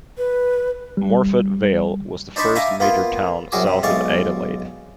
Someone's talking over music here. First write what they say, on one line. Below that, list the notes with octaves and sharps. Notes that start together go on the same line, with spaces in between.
Morphett Vale was the first major town south of Adelaide.
B4
G3
D4 D#4 C5 D5 B5 C#6
E5 F5 G#5 A#5 D6
A#3 B3 F4
C2 F#2 F#4 G#4 D6
C3
B1 G#3 D5 F5 C#6